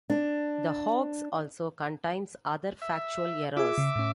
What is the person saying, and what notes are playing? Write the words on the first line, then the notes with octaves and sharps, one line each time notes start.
The hoax also contains other factual errors.
D4
E5
F4 G#4 E5 D6
C#3
A2 C#4